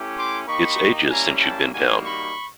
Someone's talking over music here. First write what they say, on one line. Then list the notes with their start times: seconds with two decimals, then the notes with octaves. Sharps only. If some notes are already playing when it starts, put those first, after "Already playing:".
It’s ages since you’ve been down.
Already playing: A3 C#4 E4 G4
0.17 C6 D6
0.47 A#3 D#4 G4 B5 C#6
1.10 G3 A#3 C#4 E4 G#5 A#5
1.41 G5 A5
1.73 G3 A#3 D#4 F#4 F#5 G#5
2.04 B5 C#6